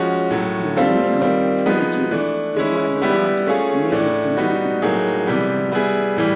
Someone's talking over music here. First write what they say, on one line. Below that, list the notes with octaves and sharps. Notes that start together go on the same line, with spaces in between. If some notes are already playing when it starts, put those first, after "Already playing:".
The Veneno trilogy is one of the largest native Dominican Republic productions.
Already playing: F3 G#3 C#4 F#4
A2 F#3 A3
G3 C4 F4 A4
D#3 G3 C4 F4
F3 G#3 B3 D#4
E3 A3 D4
G#3 C#4 E4
G3 B3 E4 G4
A3 C#4 F4 G#4
A2 E3 A3 D4
G3 B3 D#4 F#4
A2 F#3 A#3 D#4 G#4
C3 E3 G3 B3
G3 B3 E4 G#4
A2 E3 G3